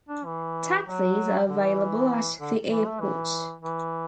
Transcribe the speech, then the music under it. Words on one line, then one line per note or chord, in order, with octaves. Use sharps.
Taxis are available at the airport.
D4
E3
F#3
D3
E3
D3
E3
A3
E3
E3